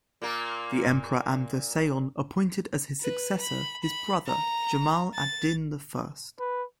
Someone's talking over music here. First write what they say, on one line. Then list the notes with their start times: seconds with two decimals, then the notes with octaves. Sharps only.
The Emperor Amda Seyon appointed as his successor his brother, Jamal ad-Din the First.
0.22 A#2 A#3 A#4
3.01 B4
3.40 B5
3.83 B5
4.26 A#5
5.15 A6
6.39 B4